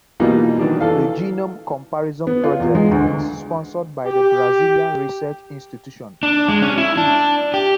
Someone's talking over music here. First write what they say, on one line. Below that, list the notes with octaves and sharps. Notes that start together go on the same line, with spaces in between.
The Genome Comparison project is sponsored by the Brazilian research institution Fiocruz.
B2 E3 G3 A#3 D#4 F4
D#3 E3 F#3 D4
E3 A4 F5
B3
F4
E2
G#3
D2
G4
D4
G#3
C#4
E4
D4
G4